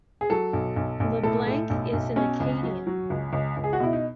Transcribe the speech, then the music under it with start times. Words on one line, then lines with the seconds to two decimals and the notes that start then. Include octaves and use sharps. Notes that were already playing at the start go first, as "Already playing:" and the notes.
LeBlanc is an Acadian.
0.21 G#4
0.30 F#3 A4
0.53 B1
0.76 B1
1.00 B1
1.23 A2 A4
1.47 A2
1.70 B1
1.93 B1
2.16 B2 C#4
2.40 C#2
2.63 F#3
2.87 F#3
3.10 C#2
3.33 C#2
3.57 C#2
3.64 G#4
3.73 F#4
3.80 B2 E4
3.93 D#4